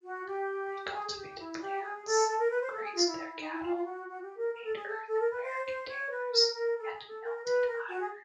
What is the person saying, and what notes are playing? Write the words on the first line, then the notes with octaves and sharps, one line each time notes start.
They cultivated lands, grazed their cattle, made earthenware containers and melted iron.
F#4
G4
G#4
G#4
G4
E4
G4
G#4
A4
A4
A#4
B4
C5
A4
G#4
F4
E4
E4
E4
D#4
E4
F4
F4
F#4
F#4
G4
A#4
A#4
A4
G#4
A4
A4
A#4
B4
C5
C5
C#5
B4
A#4
A#4
A4
G#4
A4
A#4
B4
A#4
F#4
G#4